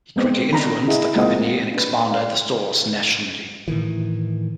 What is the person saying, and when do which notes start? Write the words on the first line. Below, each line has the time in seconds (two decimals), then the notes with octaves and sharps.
He greatly influenced the company and expanded the stores nationally.
0.16 G#3 B3 C4
0.53 D4 A#5 B5
0.87 E4 G#4 D#5 F#5
1.16 G#3 A#3 C4 F4 D#5 F#5
1.75 D4 B4
2.12 D5 F5
3.68 A2 D#3 E3